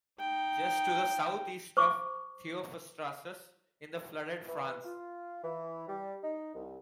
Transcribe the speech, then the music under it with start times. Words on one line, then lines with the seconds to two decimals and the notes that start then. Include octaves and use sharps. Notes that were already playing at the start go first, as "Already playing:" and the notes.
Just to the southeast of Theophrastus is the flooded Franz.
0.19 D#4 G5
1.77 C5 C#6 D6
4.49 E3
4.85 F4
5.44 E3
5.89 G3
6.24 D#4
6.54 C2